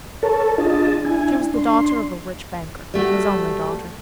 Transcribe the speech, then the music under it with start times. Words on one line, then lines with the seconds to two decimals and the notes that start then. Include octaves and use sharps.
She was the daughter of a rich banker--his only daughter.
0.23 A4 A#4 C#5 A5
0.58 D4 F4 G#4 D#5 A5
1.05 D4 E4 G#5
1.54 D4 C6
2.94 G3 A3 F#4